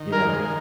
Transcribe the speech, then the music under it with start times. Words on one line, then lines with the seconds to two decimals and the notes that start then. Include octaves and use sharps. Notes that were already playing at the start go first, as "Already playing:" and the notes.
you know,
Already playing: D#3
0.12 G#3 A#4
0.42 D#3